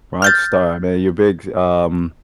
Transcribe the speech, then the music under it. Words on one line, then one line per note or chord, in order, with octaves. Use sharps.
Rockstar, man, you're big, um
F6 G6 A6